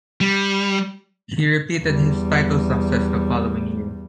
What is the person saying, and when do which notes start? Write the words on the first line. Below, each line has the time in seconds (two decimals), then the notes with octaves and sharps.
He repeated his title success the following year.
0.21 G3
1.82 E2 G3